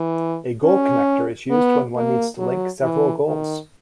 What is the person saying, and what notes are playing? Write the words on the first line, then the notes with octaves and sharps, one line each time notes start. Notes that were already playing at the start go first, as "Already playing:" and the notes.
A goal connector is used when one need to link several goals.
Already playing: E3
C#4
B3
A#3
F#3
E3
D#3